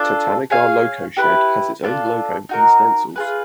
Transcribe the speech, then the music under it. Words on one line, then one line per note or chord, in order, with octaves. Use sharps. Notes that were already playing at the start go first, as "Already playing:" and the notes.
Tatanagar loco shed has its own logo and stencils.
Already playing: D4 F4 A4
G#4 C#5 F5 G#5
E4 G4 B4
D4 F4 A4
D#4 F#4 A#4
F4 G#4 B4